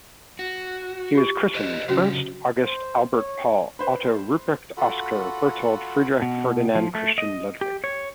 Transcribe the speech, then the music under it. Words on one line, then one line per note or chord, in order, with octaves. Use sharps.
He was christened, "Ernst August Albert Paul Otto Rupprecht Oskar Berthold Friedrich-Ferdinand Christian-Ludwig".
F#4
F4 G4
B4 C5 D#5
C#3 F#3 C#4 F4 F#4 C5
C5
C#5
B4 C5
F4 F#4 A4 F#5 B5
B2
F3
A3
D#5
G4
C#5